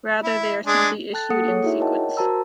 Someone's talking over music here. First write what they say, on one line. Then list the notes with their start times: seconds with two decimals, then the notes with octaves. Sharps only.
Rather, they are simply issued in sequence.
0.23 E4
0.66 G#3 D4 G#4
1.12 A4 G5 A5 F#6 A6
1.30 A#3 A4 F#5 D#6 C#7
1.47 G#4 C#5
1.64 D#4 E4 F#4 G#4 E5
1.80 A#4 C#5 D#5 F#5 G5 A5
2.17 F#4 A#4 C5 A5 A#5 E6